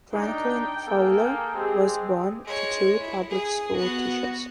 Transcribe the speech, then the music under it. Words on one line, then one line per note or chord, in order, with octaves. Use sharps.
Franklin Fowler was born to two public school teachers.
D4 D#4 G5
A#3 G#4 A4
G#3 C4 G4 G#4
G#3 C#5
E4
G#4
B3 F#4